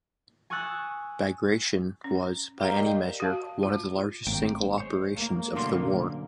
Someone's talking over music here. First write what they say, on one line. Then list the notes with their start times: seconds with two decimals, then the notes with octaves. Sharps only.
"Bagration" was, by any measure, one of the largest single operations of the war.
0.50 G#5 C#6 D#6 E6 F#6 A6
2.04 C#4
2.60 G4 A#4 F5 A#5
2.76 A#4 D5 D#5 G5
3.20 F#4 F5 A5
3.63 F4
4.27 G#1 A2 A#3 G5
4.78 G#3 C5 C#5
5.17 A#3
5.55 B1 F#2 A2 D3 C6